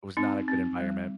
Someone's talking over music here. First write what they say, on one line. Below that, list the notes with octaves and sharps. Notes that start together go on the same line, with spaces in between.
It was not a good environment.
C4 D#4
C4
G3